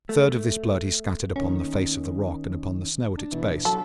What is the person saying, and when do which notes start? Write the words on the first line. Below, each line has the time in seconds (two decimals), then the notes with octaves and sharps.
A third of this blood he scattered upon the face of the rock and upon the snow at its base.
0.09 A3
1.36 D#3 A#3 C#4
3.18 D4
3.32 B2 E3
3.65 F#3 A4